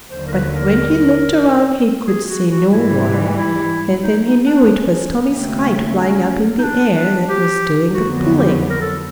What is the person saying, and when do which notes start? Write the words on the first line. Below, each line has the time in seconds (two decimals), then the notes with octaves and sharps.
But when he looked around he could see no one, and then he knew it was Tommie's kite, flying up in the air, that was doing the pulling.
0.11 D#2 D3 F#3 C5
0.28 A#4
0.33 B4
0.55 A#4
2.07 G#4
2.29 F#4
2.51 F#4
2.72 G#2 E3 G3 E4
3.38 E4
4.02 D#4
4.24 D#4
4.46 D4
4.68 C#4
5.34 D#2 C#3 F#3 A3 C4
5.99 C#4
6.58 D#4
6.63 D4
6.96 D4
7.29 G4
7.94 F2 D3 F#3 B3 F#4
8.16 F#4
8.37 G4
8.70 A#4
8.81 A4